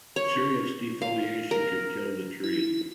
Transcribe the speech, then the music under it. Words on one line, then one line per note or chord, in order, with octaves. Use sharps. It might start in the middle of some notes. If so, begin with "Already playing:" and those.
Serious defoliation can kill the tree.
C#5
F5
A#4
E4